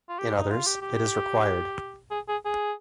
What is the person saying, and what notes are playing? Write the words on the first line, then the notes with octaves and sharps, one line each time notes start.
In others it is required.
F4
G4
D#4
F4
G4
G4
G#4
G#4
G#4